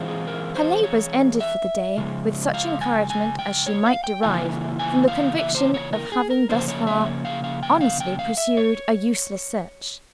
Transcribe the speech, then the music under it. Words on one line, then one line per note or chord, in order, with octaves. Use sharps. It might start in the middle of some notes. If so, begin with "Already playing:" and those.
Her labors ended, for the day, with such encouragement as she might derive from the conviction of having, thus far, honestly pursued a useless search.
Already playing: E3 G#3 C4 F4
G#4
A#4
C5
C#5
E5
C#3 F3 G#3
F5
G#5
G#5
G5
C#5
F5
G5
C#3 E3 A#3 F4 G#5
G#5
F5
E5
C5
C#5
A#4
G#4
A#4
C#3 F3 A#3 C#4 C5
C#5
E5
C#5
F5
F5
G5
F5
G5
F5
E5
C#5